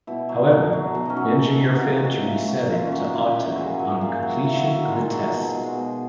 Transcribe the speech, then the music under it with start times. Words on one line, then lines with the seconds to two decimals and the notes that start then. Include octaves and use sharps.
However, the engineer failed to reset it to "auto" on completion of the test.
0.07 B2 E4
0.29 F#3
0.51 B2
0.73 F#3
0.95 B2 D#4
1.05 C#4 D#4
1.17 F#3
1.38 B2
1.60 F#3
1.82 A#2
2.05 F#3
2.26 A#2 E4
2.48 F#3
2.70 A#2 E4
2.85 C#4
2.92 F#3
2.99 D#4
3.13 A#2 E4
3.32 F#3 E4 F#4
3.48 F#4
3.58 A#2 G#4
3.79 F#3
4.01 A#2
4.23 F#3
4.45 A#2 E4
4.53 F#4
4.63 F#3 E4
4.88 A#2 D#4
5.10 F#3 G#4
5.32 B2
5.55 G#3
5.76 B2